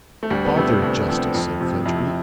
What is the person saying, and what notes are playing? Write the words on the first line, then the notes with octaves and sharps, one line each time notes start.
'Bother justice!' said Fledgeby.
A3
D2 G3
B3
C3 F3 A3
D2
C3 F3
F2
C3 F3
F2 E4